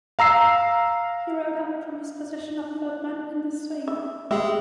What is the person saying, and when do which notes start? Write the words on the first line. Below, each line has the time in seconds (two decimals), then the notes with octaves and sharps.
He rode up from his position of third man in the swing.
0.19 F5 A#5 E6 C7
3.88 E5
4.31 G#3 G4 G#4 E5